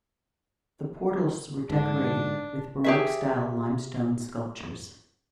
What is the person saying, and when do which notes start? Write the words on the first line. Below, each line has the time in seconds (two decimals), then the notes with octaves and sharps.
The portals were decorated with Baroque style limestone sculptures.
1.70 G#2 D3 D4
2.84 G4 G#4 E5